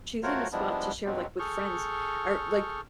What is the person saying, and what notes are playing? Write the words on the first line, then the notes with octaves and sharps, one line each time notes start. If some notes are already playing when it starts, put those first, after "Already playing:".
choosing a spot to share, like, with friends, are, like,
A3 F4 F#4 A#4 C5 C#5
F3 G3 G#3 B3 D4 E4
G2 B2 F#3 G#3 C4
G#4 A4 C#6 F6 G6